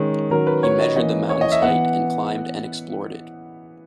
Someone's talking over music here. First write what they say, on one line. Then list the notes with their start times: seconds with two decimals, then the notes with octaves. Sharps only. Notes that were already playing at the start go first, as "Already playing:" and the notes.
He measured the mountain's height and climbed and explored it.
Already playing: D#3 G#3 C#4
0.30 D#3 F#3 C#4 A#4
0.47 B4
0.63 C#5
0.81 D#5
0.96 E3 A#3 C#4 D#5
1.29 C#5
1.41 D#5
1.52 E5
1.62 E3 B3 F#5